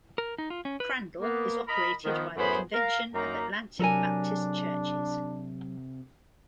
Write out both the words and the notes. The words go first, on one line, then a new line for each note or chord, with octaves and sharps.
Crandall is operated by the Convention of Atlantic Baptist Churches.
A#4
D#4
F4
C#4
B4
A#3 B3
A#4 D#5 B5
D#3 F3 B3
F#2 A2 B3 G#4 C5 B5
A#4 F5
F#2 F#3 A#3 D#4 A#5
C3 F#3 D4 A4 A#4 G#5